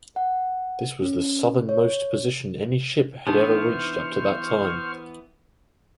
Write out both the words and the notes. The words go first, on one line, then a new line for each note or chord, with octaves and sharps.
This was the southernmost position any ship had ever reached up to that time.
F#5
C#4
C#5
E3 B3 D4 D#4 C5 C#6 F6